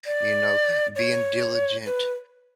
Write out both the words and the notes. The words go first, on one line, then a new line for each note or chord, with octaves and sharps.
you know, being diligent.
D5
C#5
B4